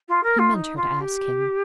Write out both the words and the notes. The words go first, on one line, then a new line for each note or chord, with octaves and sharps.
He meant her to ask him.
F4
A#4
F4
D#4
F4
G4